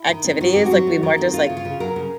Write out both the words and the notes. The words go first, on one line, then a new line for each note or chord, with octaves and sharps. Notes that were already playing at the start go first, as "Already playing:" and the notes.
activities, like, we more just, like,
Already playing: E4
D#3
C4
D#3 F#4
C4 G4
F#4
F#3
A3
D#3
C4
A3 F4
C#3
F4
C#3
F#3 A#4
C#3